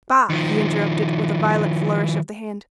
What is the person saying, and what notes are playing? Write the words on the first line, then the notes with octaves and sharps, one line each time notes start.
"Bah!" he interrupted, with a violent flourish of the hand.
D#3 F3